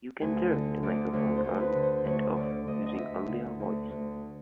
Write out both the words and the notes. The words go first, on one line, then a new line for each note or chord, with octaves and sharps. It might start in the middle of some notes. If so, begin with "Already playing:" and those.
You can turn the microphone on and off using only your voice.
D2 G#5
D3
D2 D5
D2 C#5
C5
D2
B4
D3
C5
D2 C#5
D3 D5
D2 D#5
D#5
D2 E5
D3
D2
D2